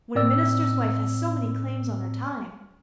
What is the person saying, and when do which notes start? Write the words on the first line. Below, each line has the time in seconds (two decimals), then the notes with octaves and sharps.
When a minister's wife has so many claims on her time!
0.15 A2 C4 D5 E6